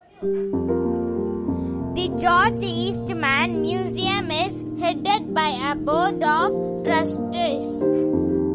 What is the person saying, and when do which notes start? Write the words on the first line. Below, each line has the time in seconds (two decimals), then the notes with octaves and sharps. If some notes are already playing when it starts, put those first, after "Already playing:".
The George Eastman Museum is headed by a board of trustees.
0.22 G3 G4
0.53 F2
0.68 F4 A#4
0.84 A#3
1.16 G3
1.48 F2
1.79 C3
2.12 A#3
2.43 A#2
2.75 A#3
3.06 A#2
3.38 A#3
3.53 G4
3.70 A#2
4.01 G2 F4
4.32 D#3
4.64 D#3
4.97 D#3
5.28 G3
5.60 D#3
5.91 F3 F4 A#4
6.23 A#3
6.39 G4 C5
6.54 F3
6.85 G2 A#4 D#5
7.17 A#3
7.49 A#3
7.81 D#3 G4 C5
8.13 F2
8.28 G4